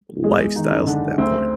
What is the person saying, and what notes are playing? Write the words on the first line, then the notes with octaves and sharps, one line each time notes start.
lifestyles at that point.
E2 G#3 G#4
D#3 D#4
F#1
D3 D4
D2 C4